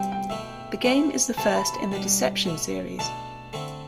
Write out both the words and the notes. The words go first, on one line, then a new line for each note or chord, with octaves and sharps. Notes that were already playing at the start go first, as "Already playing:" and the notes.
The game is the first in the "Deception" series.
Already playing: C3 G3 C4 E4 G5
G5
B2 A3 E4 E5
E3 A3 C4 E4
C3 E3 A3 A5
B5
B5
B2 G3 D4
B2 A3 E4
B2 A3 D4 A5
D3 A3 C4 E4